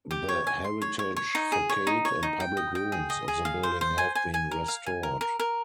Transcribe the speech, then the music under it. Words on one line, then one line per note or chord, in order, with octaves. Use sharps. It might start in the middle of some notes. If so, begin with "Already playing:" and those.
The heritage facade and public rooms of the building have been restored.
G4
C#5
G#5
C6
C#5
C#5
C#5
D#4
G#4
C#5
D#4
C#5
D#4
G5
D#5
G5
G#4
D#5
G#4
F5
C5
C5
G#5
G#5
G#5
A#4
F5
G#5
A#4
A#4
A#4